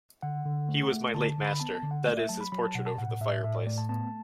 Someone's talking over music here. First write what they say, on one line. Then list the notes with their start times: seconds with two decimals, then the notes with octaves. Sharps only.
He was my late master: that is his portrait over the fireplace.
0.22 D3 F#5
0.46 D3
0.69 A3
0.92 A3
1.14 D3 A5
1.30 A5
1.38 D3
1.45 B5
1.60 B3 A5
1.75 A5
1.83 D3
1.91 F#5
2.06 A3 D5
2.17 E5
2.29 F#3 A5
2.41 B5
2.52 F#3 B5
2.64 A5
2.75 B2 F#5
2.86 A5
2.98 A2 F#5
3.20 A2 E5
3.43 A2 E5
3.55 D5
3.66 A3 D5
3.78 A5
3.89 B3 A5